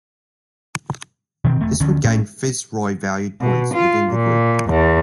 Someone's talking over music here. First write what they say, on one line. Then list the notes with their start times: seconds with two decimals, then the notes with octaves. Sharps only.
This would gain Fitzroy valued points within the group.
1.44 B2 D#3 E3 C4
1.60 E1 A3
1.80 D2 D3 F3 C#4
2.04 A2 A3 C#4
3.41 B2
3.74 F4
4.10 A#2
4.69 E2